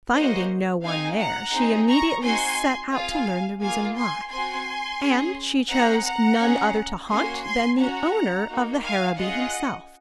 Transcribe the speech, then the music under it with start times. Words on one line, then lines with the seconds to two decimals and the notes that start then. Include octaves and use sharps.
Finding no one there, she immediately set out to learn the reason why, and she chose none other to haunt than the owner of the Harrowby himself.
0.13 A#3 C#4 F#4 C5 D#5
0.83 C4 D#4 G#4 F5 G#5
1.18 F#5 A#5
1.53 C4 D#4 G#4
1.88 A#5 C#6
2.22 C4 D#4 F#4 G#5 C6
2.91 C4 F4 G#4 F5 G#5
3.61 A#3 F4 G#4 F5 G#5
3.96 G#5 C6
4.30 C4 F#4 G#5 C6
5.00 C#4 G#4
5.69 C4 D#4 G#4 F#5 A#5
6.05 F#5 A#5
6.40 C#4 G#4
7.09 A#3 C#4 F#4 G#5 C6
7.43 G#5 C6
7.78 C#4 F#4 F#5 A#5
8.48 A#3 D#4 F#4
8.82 F5 G#5
9.17 C#4 F4 G#4 D#5 F#5